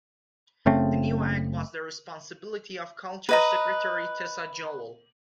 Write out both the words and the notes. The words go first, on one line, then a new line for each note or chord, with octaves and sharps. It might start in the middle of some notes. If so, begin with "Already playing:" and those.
The new act was the responsibility of culture secretary Tessa Jowell.
F#1 C#3 A3 C4
B4 D#5 A#5